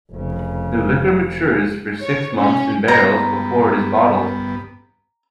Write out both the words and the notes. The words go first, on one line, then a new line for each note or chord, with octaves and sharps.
The liqueur matures for six months in barrels before it is bottled.
F1 C#3
C#5
C#4
G2 B3 A#5